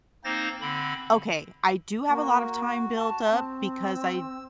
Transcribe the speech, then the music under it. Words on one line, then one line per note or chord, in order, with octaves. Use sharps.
Okay, I do have a lot of time built up, because I
A#3 C4 D#4 C5 A6 A#6
D3 C4 B5
A#3 F#4
A5
C4
E6